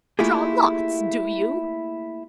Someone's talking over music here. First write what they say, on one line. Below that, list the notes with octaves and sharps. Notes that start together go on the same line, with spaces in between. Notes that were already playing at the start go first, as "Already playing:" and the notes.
Draw lots, do you?
A3 A#3 E4 F4 G4 G#4